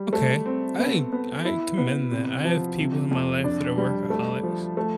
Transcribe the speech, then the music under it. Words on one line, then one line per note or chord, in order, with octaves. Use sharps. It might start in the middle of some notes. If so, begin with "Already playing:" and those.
Okay, I I commend that. I have people in my life that are workaholics,
Already playing: G3
A3
C4
B3
B3
E4
B3
C3
F3
C3
F2
D4
G3
A3
F3
A3